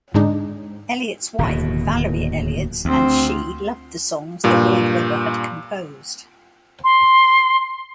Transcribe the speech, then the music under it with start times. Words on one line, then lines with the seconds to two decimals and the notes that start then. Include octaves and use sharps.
Eliot's wife, Valerie Eliot and she loved the songs that Lloyd Webber had composed.
0.14 G#2 D3 G#3 D4 D#4
1.38 D1 D#2 B2
2.85 D2 C4
4.44 G2 A#2
6.84 C6